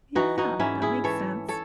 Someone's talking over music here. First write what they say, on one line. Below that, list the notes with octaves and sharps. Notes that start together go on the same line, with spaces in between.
Yeah. That makes sense.
E3 D#4 F#4
D#4 F#4
G#2 C#4 E4
E4 G#4
E3 A4 C#5
A4 C#5